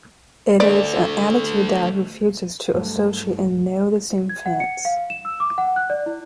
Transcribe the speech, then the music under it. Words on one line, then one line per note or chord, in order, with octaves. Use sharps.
It is an attitude that refuses to associate and know the same fans.
A3 D4 D5
G2 F#3 G3 A3
G#6
F#5
C#7
F5
E7
E6
D6
F#5
F#6
D5
E4